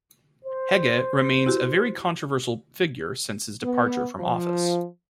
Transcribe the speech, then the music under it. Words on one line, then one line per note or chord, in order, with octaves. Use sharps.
Hege remains a very controversial figure since his departure from office.
C5
E4 F#4 G4
B3
F3